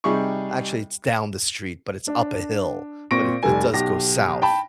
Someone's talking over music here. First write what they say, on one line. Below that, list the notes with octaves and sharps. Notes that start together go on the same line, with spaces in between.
actually, it's down the street, but it's up a hill, but it it does go south.
C3 G3 D#4 G4 G#4 C#6
D4
A#2 C4 C#6 A#6 D7
F1 G3 A4 G#5
B1 G4 A#6
G5 A5 B5